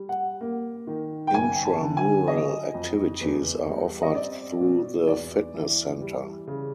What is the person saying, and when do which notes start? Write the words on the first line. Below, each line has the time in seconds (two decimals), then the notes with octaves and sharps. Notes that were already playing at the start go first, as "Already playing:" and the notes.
Intramural activities are offered through the fitness center.
Already playing: G3
0.09 F#5
0.41 A#3
0.87 D#3
1.27 G5
1.34 F#1 G#5
1.65 A5
1.81 D3
1.97 G#5
2.28 F#3 D#5
2.74 F2
3.21 E2
3.67 G3
4.02 D#5
4.15 C4 D5
4.61 B2
5.07 E2 D5
5.54 E3
6.01 G3
6.47 C#3